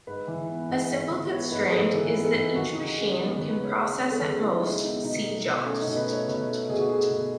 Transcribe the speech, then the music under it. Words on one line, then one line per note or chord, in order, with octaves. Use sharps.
A simple constraint is that each machine can process at most "c" jobs.
G#2 B4
E3
B3
G#2
G#2
E3
B3 C#5
C#5
G#2 B4
G#4
G#2 A4
E3 A4
B3
A4
G#2
D#2 F#4
D#4
C#3
D#4
G#3 C#4
B3 D#4
B4
D#2
B4
C#3
C#5
G#3 B4
B3 C#4
A4
D#2 G#4
C#3 E4
G#3 D#4
B3 D#4
B2 D#4
A3
B2
A3 C#4
D#4
B2
B4
A3
C#5
B2 B4
A3
B2 G#4
F#4
A3 G#4
B2